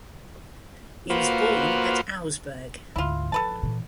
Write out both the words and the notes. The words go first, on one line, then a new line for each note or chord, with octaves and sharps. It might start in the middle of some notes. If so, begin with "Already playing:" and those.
He was born at Augsburg.
A#3 F4 F#4 B4 C5
D2 G#2 E4 F4
F3 A4 B4 A5
A#2 E3